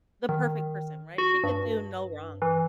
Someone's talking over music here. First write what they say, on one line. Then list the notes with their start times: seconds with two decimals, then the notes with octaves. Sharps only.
the perfect person, right? She could do no wrong.
0.29 D#3
1.18 F#4
1.44 G2
2.42 E3